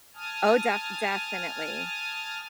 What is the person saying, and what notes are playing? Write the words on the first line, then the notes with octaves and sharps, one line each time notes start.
Oh, def definitely.
G#5 A5 D#6 F6